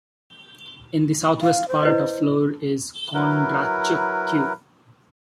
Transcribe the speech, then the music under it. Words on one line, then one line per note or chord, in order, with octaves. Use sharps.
In the southwest part of the floor is Kondratyuk Q.
F5
C5
E4 B4 D#5
F#3 E4 A#4 B4